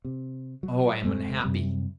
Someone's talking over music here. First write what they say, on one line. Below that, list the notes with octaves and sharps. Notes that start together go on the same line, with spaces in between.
Oh, I am unhappy!
C3
F#3
E1 G#3 A3 C4
F#2 C3 G3